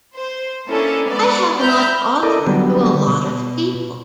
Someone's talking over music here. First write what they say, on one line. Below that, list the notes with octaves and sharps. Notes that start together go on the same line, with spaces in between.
I have a lot to offer to a lot of people.
C5
A#3 C#4 D4 E4 A4
G#3 B3 D5
E5 A#5 B5 F6 G6
E4 A4 A#4 D5 D#5
D3 F#3 G3 B3
B2